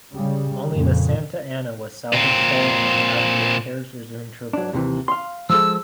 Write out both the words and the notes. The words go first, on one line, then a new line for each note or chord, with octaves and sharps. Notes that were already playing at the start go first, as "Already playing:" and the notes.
Only the "Santa Ana" was salvageable and after repairs resumed her voyage.
C#3 G3
F2 A#2 C#3
A#2 C4
F#3 D4
D#2 C3 E3
F5 C6
F3 G#3 A4 E6